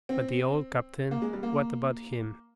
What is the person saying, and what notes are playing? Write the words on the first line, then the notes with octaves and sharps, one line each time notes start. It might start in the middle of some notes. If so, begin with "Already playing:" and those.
But the old captain, what about him?
C4
A#3
G#3
G3
A#3